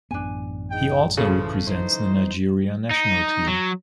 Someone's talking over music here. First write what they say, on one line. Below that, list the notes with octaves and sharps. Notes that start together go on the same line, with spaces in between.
He also represents the Nigeria national team.
A1 F#2 B3 D4 G#5
D#4 G#4 G5
C#3 E3 F3 A4
E3 D#4 C5
D#4
F#3